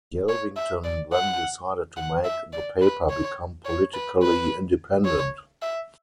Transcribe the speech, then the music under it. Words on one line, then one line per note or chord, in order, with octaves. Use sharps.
Yelvington then decided to make the paper become politically independent.
C#5
E5
D5
F#5
F#5
E5
D5
B4
C#5
C#5
B4
B4
C#5
E5